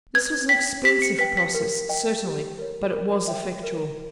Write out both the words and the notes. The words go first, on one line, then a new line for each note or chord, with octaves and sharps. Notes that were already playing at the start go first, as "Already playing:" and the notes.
This was an expensive process, certainly; but it was effectual.
B4 G#6
G5 B6
G4 B6
C#7
B4 G5 B6
B6
A#4
D#5 G5
G4
A#4 C#5
A#4
C#5 E5 G5
A#4